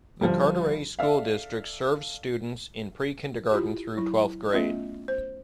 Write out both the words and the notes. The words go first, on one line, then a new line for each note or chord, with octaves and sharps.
The Carteret School District serves students in pre-Kindergarten through twelfth grade.
D2 F3 G3
A4 D5 E5 F5
E4 F4 G4
F#3 E4
A3 B3 C#4 F4 D#5
C5